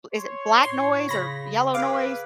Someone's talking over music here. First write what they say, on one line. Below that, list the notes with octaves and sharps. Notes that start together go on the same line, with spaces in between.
is it black noise or yellow noise, is
C#5 C6
A2 C6
C#3 B5 A#6
G#4 B4 F5 D6